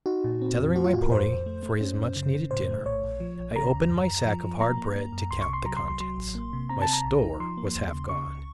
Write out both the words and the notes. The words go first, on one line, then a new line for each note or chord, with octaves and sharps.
Tethering my pony for his much-needed dinner, I opened my sack of hard bread to count the contents; my store was half gone.
D#4 F#4
A#2
C4
F2
A3 F#4
F4
A2 F#4
A#4
F2 C5
F2
A3
A3
C#4
F#2
C#3
C#3
A2 C5
A3
A#1 C#5
A#1
F3
A#1
C#3 A#5
D#2
F#2
F#2
F3
F3
A#3 A#5
A#3
A#3
F#2
C2 C6
C#6
C3 C6
F#3 A#5
C6
C2
C6
F#3 C6
A1
A#3
C3
C4 A#5
A5
C3
A#5
A#1
D#4
F3 C6
A#3
D#2
C#3
C#3 C#6
C#2